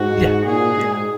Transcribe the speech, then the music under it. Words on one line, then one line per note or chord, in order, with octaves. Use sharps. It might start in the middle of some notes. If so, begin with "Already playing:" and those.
Yeah, yeah,
Already playing: G#2 F#4
A#2 G#4
G#2